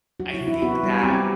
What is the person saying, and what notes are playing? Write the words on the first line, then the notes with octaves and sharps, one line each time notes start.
I think that,
F#3 F#4
E4
C3
E4
B3 F#4
G3
C4 G4